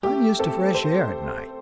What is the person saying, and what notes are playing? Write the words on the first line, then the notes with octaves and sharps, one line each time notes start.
I'm used to fresh air at night.
A3 G4
C4 A4
C5